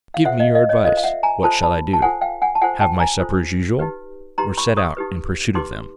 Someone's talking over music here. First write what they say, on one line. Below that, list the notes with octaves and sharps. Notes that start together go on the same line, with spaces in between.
'Give me your advice; what shall I do--have my supper as usual, or set out in pursuit of them?'
F5
F4 A4 C5 E5 F#5
D#5 F5
D#5 F5
C#5 D#5
F4 A4 C5 D#5 F5
F5
E5 F#5
G#5 A#5
F4 A4 C5 A5 B5
A5 B5
A5
F4 A4 C5 F#5 G#5
F5 G5
F#5 G#5
A5
F4 A4 C5 F#5 G#5
G5 A5
G#5 A#5
F4 A4 C5
D#4 G4 B4
D#4 G4 B4 A#5 C6
B5 C#6
C#6 D#6
D#4 G4 B4
D#4 G4 B4 C6 D6